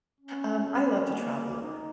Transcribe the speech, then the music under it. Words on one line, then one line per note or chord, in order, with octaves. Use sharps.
Um, I love to travel.
C#4
C#4
A#3
D#4